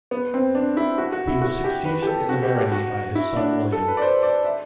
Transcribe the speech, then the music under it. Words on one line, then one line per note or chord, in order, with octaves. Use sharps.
He was succeeded in the barony by his son William.
B3
C4
D4
E4
F#4
F#4
E4
F#4
G4
B4
G4
A4
F#4
G4
G4
F#4
E4
D4
A4
B4
D5
C5
D5
E5